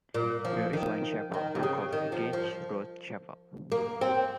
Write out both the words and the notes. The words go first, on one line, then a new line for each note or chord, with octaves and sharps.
There is one chapel, called Gage Road Chapel.
A#2
F3
D#3
D#3
C3
C#3
D#3
F3
F3
A#3
C4